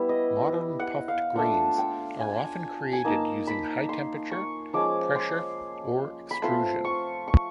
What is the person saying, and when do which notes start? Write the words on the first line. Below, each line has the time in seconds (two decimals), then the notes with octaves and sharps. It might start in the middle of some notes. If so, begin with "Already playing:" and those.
Modern puffed grains are often created using high temperature, pressure, or extrusion.
Already playing: G3 B3 E4
0.09 D#5
0.79 F#5
1.08 F5
1.36 A3 D4 F4 F#5
1.78 G5
2.20 G#5
2.93 G#5
3.04 A#3 D#4 A5
3.47 B5
3.89 C6
4.31 C#6
4.73 F3 G#3 C#4 D6
5.16 C6
6.31 B5
6.42 A3 C4 F4 C6
6.85 C#6
7.28 C#6